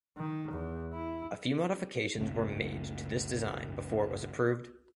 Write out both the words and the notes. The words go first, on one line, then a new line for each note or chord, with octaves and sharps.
A few modifications were made to this design before it was approved.
D#3
E2
E4
F#1 C#2 A3 C4